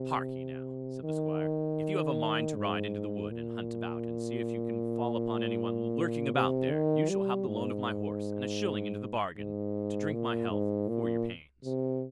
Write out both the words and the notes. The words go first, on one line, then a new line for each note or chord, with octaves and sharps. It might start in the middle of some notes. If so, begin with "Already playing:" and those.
'Harkye, now', said the Squire, 'if you have a mind to ride into the wood, and hunt about and see if you can fall upon any one lurking about there, you shall have the loan of my horse, and a shilling into the bargain, to drink my health, for your pains.'
Already playing: C3
D#3
G#2
A#2
C3
D#3
G3
G#2
G#2
A#2
G#2
A#2
C3